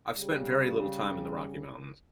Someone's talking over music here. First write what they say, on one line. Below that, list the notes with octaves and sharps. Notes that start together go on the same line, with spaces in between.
I've spent very little time in the Rocky Mountains.
C#3 G3